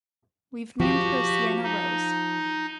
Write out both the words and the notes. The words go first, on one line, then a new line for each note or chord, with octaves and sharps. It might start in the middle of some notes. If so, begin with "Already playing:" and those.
We've named her Sienna Rose.
F3 F#4 G4
D#4